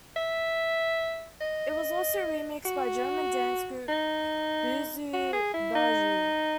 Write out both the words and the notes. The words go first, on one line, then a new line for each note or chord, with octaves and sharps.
It was also remixed by German dance group Boozoo Bajou.
E5
D#5
F#4
D#4
F#4
G#4
E4
D#4